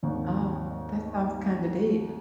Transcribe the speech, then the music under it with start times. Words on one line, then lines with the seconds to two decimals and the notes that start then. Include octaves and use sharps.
Oh, that sounds kinda deep.
0.03 G#1 D#2